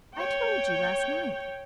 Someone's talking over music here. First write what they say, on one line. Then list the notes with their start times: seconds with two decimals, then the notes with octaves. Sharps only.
"I told you last night."
0.15 C#5 G5